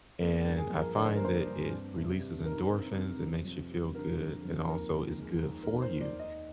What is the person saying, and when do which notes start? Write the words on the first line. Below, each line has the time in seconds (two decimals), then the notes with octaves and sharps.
and I find that it releases endorphins, it makes you feel good, and also is good for you
0.20 A#3 A#4
0.39 A#4
0.45 G2
0.57 G#4
0.70 F3
0.77 A#4
0.95 D3 D5
1.05 C5
1.16 A#4
1.21 A#3 C5
1.46 G2
1.70 C4
1.96 C3
2.20 G3
2.45 D#3 A#4
2.70 C4
2.95 C3
3.20 F2
3.45 F2
3.69 G3
3.95 D3 A#4
4.20 F2
4.45 F2
4.69 D#2 A#4
4.94 D#2
5.20 G#3
5.45 D#3
5.63 A#4
5.69 D#2
5.82 C5
5.95 D#2
6.00 D5
6.19 D#4 D#5